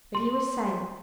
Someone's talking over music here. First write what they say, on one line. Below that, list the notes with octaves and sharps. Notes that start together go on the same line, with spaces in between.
But he was silent.
C6